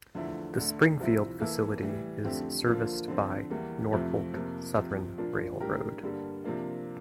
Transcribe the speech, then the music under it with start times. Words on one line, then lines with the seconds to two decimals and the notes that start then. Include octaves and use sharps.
The Springfield facility is serviced by Norfolk Southern Railroad.
0.15 E2 D3 F3 A3 E4
0.57 D2 D3 A3
0.99 C2 C3 F3 C4 E4
1.40 E3 A#3 E4 A4
1.82 A2 E3 G3
2.24 F2 D3 A3 C4 G4
2.66 D3 F3 A#3 F4
3.08 D3 F3 C4
3.50 E2 E3 G3 A#3
3.93 F2 C3 F3 A3 C4
4.34 F2 C3 F3 A#3
4.77 F2 C3 F3 C4
5.18 A#2 F3 A#3 D4 F4
5.60 A2 G3 D4 G4 A#4
6.03 G2 D3 G3 A#3
6.44 C3 F3 A#3 D4